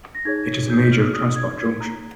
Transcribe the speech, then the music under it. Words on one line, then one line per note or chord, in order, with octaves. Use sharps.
It is a major transport junction.
A#6
D#4 G#4 C#5 G#6
G6
F6
D#6
G#6
G#6
A#5